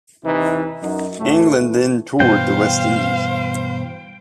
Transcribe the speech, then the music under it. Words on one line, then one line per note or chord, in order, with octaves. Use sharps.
England then toured the West Indies.
D#2 C3 E3 D#4 E4
F#2 D#4
D2 A2 A3
E3
G2 B2 E3 C5 F5 G5